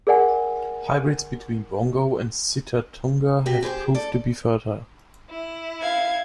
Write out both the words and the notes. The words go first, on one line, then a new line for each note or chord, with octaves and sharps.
Hybrids between bongo and sitatunga have proved to be fertile.
G#4 A#4 D5 F#5 G#5
C3 F#4 G4 E5
G4 G#4 B4 C5
A4 D5
E4
F5 G#6